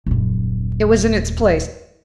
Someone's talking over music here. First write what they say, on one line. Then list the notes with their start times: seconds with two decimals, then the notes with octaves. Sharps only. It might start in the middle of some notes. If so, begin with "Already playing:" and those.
It was in its place.
0.06 D#1 F#2